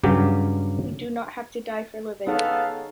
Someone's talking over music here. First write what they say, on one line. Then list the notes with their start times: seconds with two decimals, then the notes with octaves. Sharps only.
We do not have to die for living.
0.04 G2 C#3 F#3 G4
2.27 B3 D#4 G#4 A4 C#5 F5